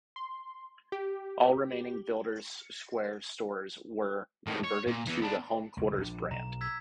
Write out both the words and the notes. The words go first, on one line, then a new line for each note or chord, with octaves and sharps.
All remaining Builders Square stores were converted to the Home Quarters brand.
C6
G4
A2 D#3
C#5
A#2
E3 B3
B3 D4
E1 C#2
A#1 C#4 D4
B1 A#5
E6 G#6 B6